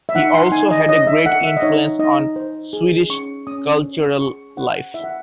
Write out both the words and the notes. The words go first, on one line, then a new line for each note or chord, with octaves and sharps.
He also had a great influence on Swedish cultural life.
E5
D#4 F#5
C6
D#4 G#5
D#5
C#5 D#5
E5
A4 F#5
E5
D#5
D#4 C#5
D#4 D#5
C5
G#4
C#4 C#6
C#4 D#6
C#5
G#4 C#6
C5 F#5
E4 E5
F#5